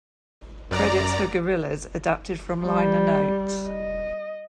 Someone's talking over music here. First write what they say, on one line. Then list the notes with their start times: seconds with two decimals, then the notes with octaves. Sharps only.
Credits for "Gorillaz" adapted from liner notes.
0.71 F#2 D5 A#5
2.64 G3
3.68 D#5